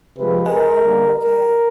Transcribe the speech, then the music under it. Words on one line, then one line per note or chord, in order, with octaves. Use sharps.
Oh, okay.
C3 F3 G#3 B4
A#4
D3 G3 A#3
A#4